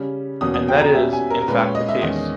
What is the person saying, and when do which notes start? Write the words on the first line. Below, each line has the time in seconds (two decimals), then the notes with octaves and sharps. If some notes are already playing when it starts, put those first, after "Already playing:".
And that is, in fact the case.
Already playing: C#3 G3 C#4
0.41 E2 B2 A#3 C#4 D#6
0.54 D#6
0.68 G5
0.81 A#5
0.94 B2 G3 C#4 E5
1.13 G#5
1.30 A#4
1.42 A#4
1.48 A#2 G#3 C#4 B4
1.62 C#5
1.75 D#5
1.89 E5
2.02 E2 D#3 G#3 C#4 D#5